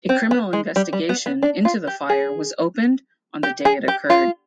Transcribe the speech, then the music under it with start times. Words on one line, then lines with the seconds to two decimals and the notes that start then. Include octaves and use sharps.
A criminal investigation into the fire was opened on the day it occurred.
0.09 C4
0.31 B3
0.53 G#3
0.76 G3
0.93 G3
1.09 B3
1.26 B3
1.43 D4
1.65 F4
1.87 G4
2.10 G#4
3.43 G4
3.65 G#4
3.88 G4
4.10 F4